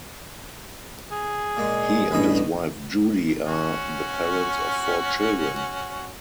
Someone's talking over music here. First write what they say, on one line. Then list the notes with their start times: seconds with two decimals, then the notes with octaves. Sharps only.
He and his wife Judy are the parents of four children.
1.12 G#4
1.57 A#2 G#3
2.12 A1 G2 B2 D#5 B5
3.45 C#4 F#4